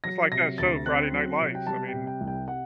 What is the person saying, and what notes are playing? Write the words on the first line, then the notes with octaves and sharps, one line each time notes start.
It's like that show, Friday Night Lights, I mean,
F#3 A#6
C3 A#6
D2 A6
C4 F#6
F#3
C3
G5
G3 A5
G5
C3
G5
C2
G5
F#5